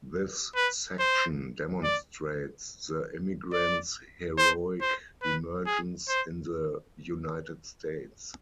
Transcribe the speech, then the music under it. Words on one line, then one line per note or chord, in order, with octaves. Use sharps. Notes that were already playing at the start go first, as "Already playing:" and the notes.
This section demonstrates the immigrants' heroic emergence in the United States.
B4
C5
D5
D5
C5
C5
B4
G#4
C5